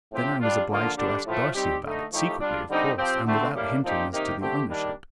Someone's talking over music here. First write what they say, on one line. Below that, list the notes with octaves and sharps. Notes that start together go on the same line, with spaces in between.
Then I was obliged to ask Darcy about it, secretly, of course, and without hinting as to the ownership.
A2 F3 C4 G4
G3 D4 F4
D3 F3 A#3 F4
D3 G3 D4
A2 F3 A3
G3 C4 D#4 G4
D3 A3 D#4
A2 F3 A3 D#4 G4
G3 D4 F4
D3 G3 C4 D#4 G4
F3 C4 G4
D3 A3 C4
A2 G3 A#3 D4
A#2 F3 C4 D#4 G4
C3 D#3 A#3 D#4 G4
D3 A3 C4 G4
D#3 G3 A#3 D4